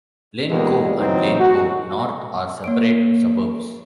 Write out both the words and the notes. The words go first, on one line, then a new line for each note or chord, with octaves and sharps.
Lane Cove and Lane Cove North are separate suburbs.
D#2 A#2 G3 G#3 B3
C#3 E3 F#3 C4 C#4 D#4
F#4
A#3 C#5 D7